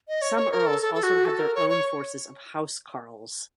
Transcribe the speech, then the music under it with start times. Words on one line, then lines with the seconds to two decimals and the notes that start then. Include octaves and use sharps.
Some earls also had their own forces of housecarls.
0.08 D#5
0.22 C#5
0.37 C#5
0.52 A#4
0.67 A4
0.82 A4
0.95 A4
1.03 F#4
1.25 A4
1.39 A#4
1.55 C#5
1.70 C#5